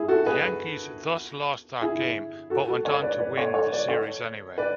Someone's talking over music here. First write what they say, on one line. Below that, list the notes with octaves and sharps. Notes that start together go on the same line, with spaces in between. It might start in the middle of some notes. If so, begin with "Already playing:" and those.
The Yankees thus lost that game but went on to win the series anyway.
Already playing: E4 G#4
F#4 A4
G#4 B4
E4 G#4
F#4 A4
F#4 A4
A4 C#5
B4 D5
B4 D5
A4 C#5
A4 C#5
B4 D5
A4 C#5
B4 D5